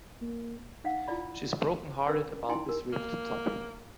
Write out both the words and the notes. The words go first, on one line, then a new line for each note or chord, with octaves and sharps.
She's broken-hearted about this rift, Tuppy.
A#3
D#4 F5 F#5
E4 F4 D5 B5
C#4 A#4 B4 E6
D#4 E4 G5 G#5 C6
A#4
A#3